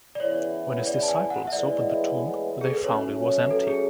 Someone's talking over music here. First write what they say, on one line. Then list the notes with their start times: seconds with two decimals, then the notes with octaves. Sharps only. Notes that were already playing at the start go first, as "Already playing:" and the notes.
When his disciples opened the tomb, they found it was empty.
0.15 D5
0.20 E2 C#3 E3 B3 E4 C#5
0.87 D5
1.03 A5
1.08 G#5
1.30 F#5
1.47 E5
1.52 A2 E3 G#3 B3 D5
2.61 G#4
2.70 A4
2.77 B4
2.84 F#3 A3 C#4 C#5
3.46 B4
3.50 A4
3.67 G#4